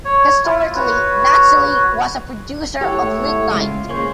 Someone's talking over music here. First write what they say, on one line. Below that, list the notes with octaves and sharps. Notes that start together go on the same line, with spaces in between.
Historically Nazilli was a producer of lignite.
C#5
E4 F4
F#4 B4 C#5
A2 E4 G4 A4 C#5 F#5
C#3 G#3 F4
G#3 A#3 C#4 C5 C#5